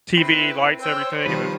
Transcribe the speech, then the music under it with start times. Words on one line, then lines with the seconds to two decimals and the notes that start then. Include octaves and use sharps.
TV, lights, everything, and then ju
0.17 C4 E4 B4
0.82 C5 C#5 G5 E6
1.26 D#3 F3 G3 B4